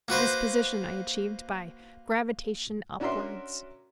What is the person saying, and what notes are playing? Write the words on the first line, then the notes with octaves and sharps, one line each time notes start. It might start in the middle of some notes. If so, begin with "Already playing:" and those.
This position I achieved by gravitation upwards.
A#3 F#4 B4 C5
C#4 D4 F#4 A#4 E5 C6